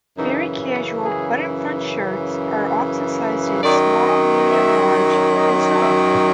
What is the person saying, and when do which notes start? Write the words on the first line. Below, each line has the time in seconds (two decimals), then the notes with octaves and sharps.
Very casual button-front shirts are often sized as small, medium, large, and so on.
0.17 F#2 C#3 E3 D#4
1.03 G#4
3.62 F#2 D#3 F#3 D5
4.05 D#5
4.50 E5
5.36 D#5
5.78 E5